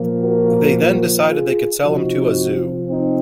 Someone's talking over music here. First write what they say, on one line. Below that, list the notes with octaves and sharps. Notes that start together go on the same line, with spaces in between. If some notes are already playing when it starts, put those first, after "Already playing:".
They then decided they could sell him to a zoo.
Already playing: A#2 F3 A#3
F#4 A#4
F4 G#4
C3 F3 C4 D#4 F#4
C4 D#4